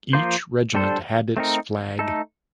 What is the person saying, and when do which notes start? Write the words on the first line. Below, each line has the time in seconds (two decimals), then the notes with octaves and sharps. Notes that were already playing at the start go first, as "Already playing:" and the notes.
Each regiment had its flag.
0.13 F3 A#3 F4 C5
0.75 G3 D4 A4 C5
1.37 A3 C4 D#4 A#4
1.99 A3 D#4 A4